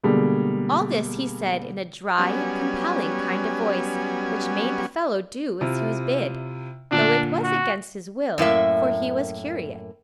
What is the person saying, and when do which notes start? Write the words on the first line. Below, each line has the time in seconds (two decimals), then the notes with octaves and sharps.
All this he said in a dry, compelling kind of voice which made the fellow do as he was bid, though it was against his will, for he was curious.
0.04 B2 D3 G3 G#3 A#3
2.18 F#3 G3 B3 C#4 G#5
5.61 C3 E4 F4
6.91 A#2 D3 D4
7.43 F#4
8.38 F#2 A2 A#3 E5